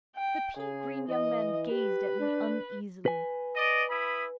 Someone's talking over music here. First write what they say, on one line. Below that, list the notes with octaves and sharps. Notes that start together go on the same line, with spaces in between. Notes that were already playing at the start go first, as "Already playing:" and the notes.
The pea-green young man gazed at me uneasily.
G5
C#3 G#4
E3 D#5
G4 B4
D4
B4 G#5
D5 D#5
E4 B5 D#6